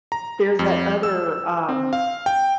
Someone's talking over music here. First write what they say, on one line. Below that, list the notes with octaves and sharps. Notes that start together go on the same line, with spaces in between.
there's that other, um
A#5
F2
E6
C4
F5
G5